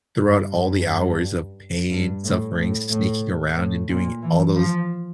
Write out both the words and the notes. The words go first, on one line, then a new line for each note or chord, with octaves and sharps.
throughout all the hours of pain, suffering, sneaking around and doing all those
G2
F#2
G2
G2
A2
A2
A2
A2
A#2
E3
F3